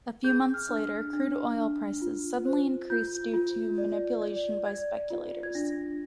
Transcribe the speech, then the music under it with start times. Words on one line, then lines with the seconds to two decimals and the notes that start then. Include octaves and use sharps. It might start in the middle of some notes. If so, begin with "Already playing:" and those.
A few months later, crude oil prices suddenly increased due to manipulation by speculators.
0.24 G#4 G6
0.54 F6
0.69 D4
0.84 F6
1.13 D4
1.57 D4
2.02 F4
2.45 C5
2.90 F4 G6
3.34 F4
3.78 D5
4.22 D5
4.66 D5 G#6
5.10 F4
5.43 G#6
5.55 D4 A#6